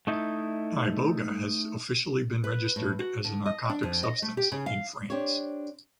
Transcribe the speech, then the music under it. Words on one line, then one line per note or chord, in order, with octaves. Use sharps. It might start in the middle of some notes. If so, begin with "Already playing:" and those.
Iboga has officially been registered as a narcotic substance in France.
A3 D#4 E4
B4
A2
F#4
D3
D#5
D4
F2
D#5
A3
G4
C#3
F5
D4 G4 C5 C#5